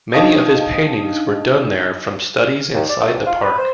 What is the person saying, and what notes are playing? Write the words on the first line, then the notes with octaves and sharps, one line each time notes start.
Many of his paintings were done there from studies inside the park.
D4 D#4 D#5 F5 A5 D#6
D#2
D5
A3
C2
F4
B4
C5